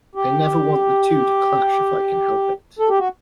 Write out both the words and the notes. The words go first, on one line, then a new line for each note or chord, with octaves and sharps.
I never want the two to clash if I can help it.
G4
A4
G4
F#4